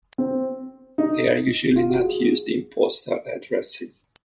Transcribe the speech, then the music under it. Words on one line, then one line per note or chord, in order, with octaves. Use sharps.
They are usually not used in postal addresses.
C4
D#4
F4
F#4
G#4